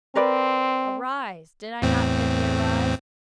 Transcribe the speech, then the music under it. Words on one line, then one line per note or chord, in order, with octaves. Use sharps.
"Arise! did I not bid thee arise?"
C4 A#4 B4 D5
E2 A2 C4